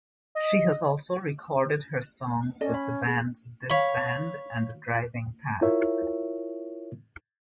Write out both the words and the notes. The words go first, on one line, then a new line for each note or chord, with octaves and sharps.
She has also recorded her songs with the bands Disband and Driving Past.
D#5
C#4 A4 D5 D#5
B5
G#4
C#5 F5 B5
E4 F4 A#4 C#5 E5